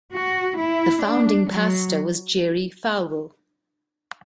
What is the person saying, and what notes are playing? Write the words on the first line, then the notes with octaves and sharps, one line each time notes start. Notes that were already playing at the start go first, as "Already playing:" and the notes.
The founding pastor was Jerry Falwell.
F#4
E4
D4
F#3